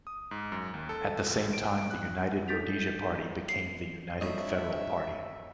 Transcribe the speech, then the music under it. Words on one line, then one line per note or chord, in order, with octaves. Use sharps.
At the same time the United Rhodesia Party became the United Federal Party.
D#6
G#2
F#2
D#2
A4
A1
D7
F#6
D#4 A4 G6 A6 B6 F7
C7
G2 C#5 D#5 E5 A#5 B5